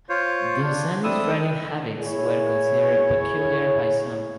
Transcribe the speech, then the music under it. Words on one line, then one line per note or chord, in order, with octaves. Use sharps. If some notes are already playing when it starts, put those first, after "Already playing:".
Dunsany's writing habits were considered peculiar by some.
F4 C5 C#5
D4
C4 D4 E4 A4 D#6 E6
E4 G#4 C#5